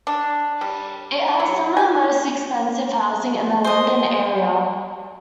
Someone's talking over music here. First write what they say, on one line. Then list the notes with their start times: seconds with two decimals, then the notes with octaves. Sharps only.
It has some of the most expensive housing in the London area.
0.07 D4
0.61 G3
1.40 F#3
1.77 G#5
3.64 C5 D#5